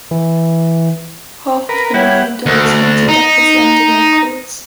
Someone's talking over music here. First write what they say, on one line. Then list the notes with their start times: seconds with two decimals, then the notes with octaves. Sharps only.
Half of the millon dollars went to Decca's London Records.
0.11 E3
1.69 A#4 B4
1.94 G3 E4 C#5 F#5
2.46 D2
3.09 D#4